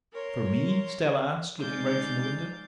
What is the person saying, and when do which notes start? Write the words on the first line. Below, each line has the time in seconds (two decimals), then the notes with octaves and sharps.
"For me?" Stella asked, looking round from the window.
0.13 A#4 C#5 C6
1.59 G#3 D#4 D5 F5 G6 A6